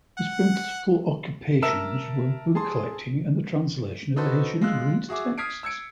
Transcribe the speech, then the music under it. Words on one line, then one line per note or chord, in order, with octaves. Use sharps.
His principal occupations were book collecting and the translation of Ancient Greek texts.
F#5
A#4 E5 A5 E6 E7
G#4 A5 C6
D#4 F#4 A4 B4 C5
G#3 F4 E6 F#6
F#4 G#4 E5 D6
D#6 F6 G#6 B6 C7 D7
E6 G#6 C#7 D7